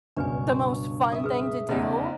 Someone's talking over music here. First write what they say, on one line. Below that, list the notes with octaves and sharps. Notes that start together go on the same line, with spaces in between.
the most fun thing to do,
C#2 G2 B2 D4 B4 C#5 G#5
E5 D6 D#6
G#4 B4
F1 E2 C#3 D#4 D5